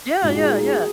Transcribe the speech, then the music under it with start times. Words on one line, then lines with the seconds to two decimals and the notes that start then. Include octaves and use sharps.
Yeah, yeah, yeah.
0.23 A#2 G#3 D#4 F#4
0.37 G#4
0.51 A#4
0.61 G#4
0.70 F#4